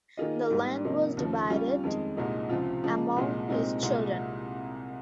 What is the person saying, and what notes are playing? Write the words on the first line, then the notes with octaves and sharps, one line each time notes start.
The land was divided among his children.
D#3 A#3 F4 G#4 D#5
G#2 G3 A#3
C3 F3 A#3 D#4
D#2 C#3 F3
G3 C#4 F4
F2 D#3 G#3
C2 A#2 G#3 D#4
C#2 C3 F3 C4 F4
C#3 F3 G#3
C2 A#2 G#3
C2 A#2 G#3 C4 D#4
C2 A#2 G#3